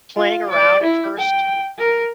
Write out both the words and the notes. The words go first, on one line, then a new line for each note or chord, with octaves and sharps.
playing around at first.
F4
D5
E4
G5
A#4